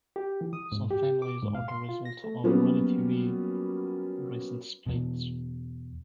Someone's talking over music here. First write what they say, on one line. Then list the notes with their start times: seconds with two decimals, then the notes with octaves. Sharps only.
Some families are the results of relatively recent splits.
0.16 G4
0.41 E3
0.53 D#6
0.72 G#2
0.91 G4
1.22 D6
1.43 G#2
1.55 F5
1.68 C6
1.89 F4
2.05 A#6
2.24 A3
2.44 F#3 G3 A#3 B3 C#4 F4
4.86 E2 B2